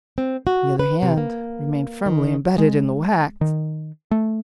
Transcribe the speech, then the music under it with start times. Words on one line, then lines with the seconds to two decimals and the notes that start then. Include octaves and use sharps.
The other hand remained firmly embedded in the wax.
0.18 C4
0.47 F#4
0.79 B4
1.03 C3
1.17 A#3
2.06 D#3
2.58 G#3
3.41 D#3
4.11 A3